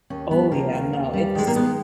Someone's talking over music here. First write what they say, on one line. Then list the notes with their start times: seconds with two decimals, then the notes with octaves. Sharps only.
Oh, yeah. No, it's
0.10 D#2 C#4
0.31 G3 B3
0.52 D#3 A#3
0.72 D#2
0.93 D#2
1.13 G3
1.35 D#3 G#3
1.47 A#3
1.56 G#3 B3